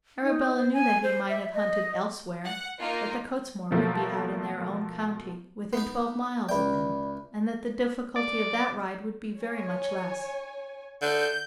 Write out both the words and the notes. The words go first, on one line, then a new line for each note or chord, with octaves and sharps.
Arabella knew that he might have hunted elsewhere,--that the Cottesmore would be out in their own county within twelve miles of them, and that the difficulty of that ride would be very much less.
D#4
C5
G#5
C5
E5
D#5
F#5
A#3 D#4 F4
B2 F3 A3 A#3
B3 D#4
C#2 D5 E5 G5 B5
D5
C#5 G#5
D3 G6